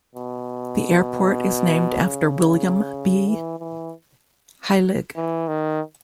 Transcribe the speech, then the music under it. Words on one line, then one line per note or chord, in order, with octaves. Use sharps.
The airport is named after William B. Heilig.
B2
C#3
E3
E3
E3
D#3